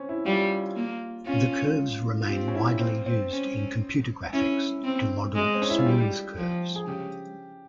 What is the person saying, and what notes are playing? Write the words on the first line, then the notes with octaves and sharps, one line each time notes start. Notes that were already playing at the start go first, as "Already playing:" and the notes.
The curves remain widely used in computer graphics to model smooth curves.
Already playing: C4 C#4
E4
G3 F4
A#3
C#4 F4
F4
C4 G4
C#4
E4
A#3 C4
C4
C#4
C#4 E4
C4
G#3
C4
C#4
E4
F4
G3 G4
F3
G#4
C#3 G4